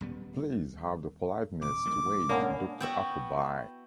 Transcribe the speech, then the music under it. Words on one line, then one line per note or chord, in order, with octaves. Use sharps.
Please have the politeness to wait, Dr. Appleby!
D#1 G3 B3
D#1 D6
A1 G3 A#3
B1 G#2 D3 A#3 B3 C#4
B3 E4 F#4 G5